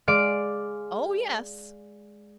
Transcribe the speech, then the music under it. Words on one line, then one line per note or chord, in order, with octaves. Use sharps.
"Oh, yes."
G#3 D5 F5 D6 D7